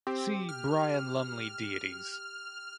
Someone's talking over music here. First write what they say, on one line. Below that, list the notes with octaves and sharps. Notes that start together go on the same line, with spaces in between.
See Brian Lumley deities.
C4 G4
F6